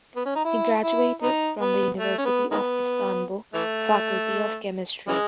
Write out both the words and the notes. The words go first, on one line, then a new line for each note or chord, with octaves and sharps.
He graduated from the University of Istanbul, Faculty of Chemistry.
B3
C#4
D#4
E4
E4
B3 D#4
B3
A3
C#4
B3
D#3 G#3 B3
E3 A3
C#3 E3 G#3